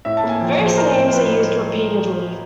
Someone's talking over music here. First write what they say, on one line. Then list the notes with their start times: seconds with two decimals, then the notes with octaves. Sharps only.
Various names are used repeatedly.
0.05 A2 E5
0.17 A5
0.23 A#3
0.29 G#5
0.41 F3 G5
0.53 C#5
0.59 F3
0.66 C5
0.77 D#4 A#4
0.95 A2
1.09 C5
1.13 F3 B4
1.32 D#4